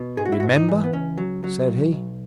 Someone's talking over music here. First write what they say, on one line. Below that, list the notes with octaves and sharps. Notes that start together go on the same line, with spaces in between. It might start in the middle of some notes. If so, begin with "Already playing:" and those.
"Remember!" said he.
Already playing: B2
G#2 G#4
F#4
E4
F#4
G#2
D#4
E3
B3
C#2 C#4
F#3
F#3
B1
B1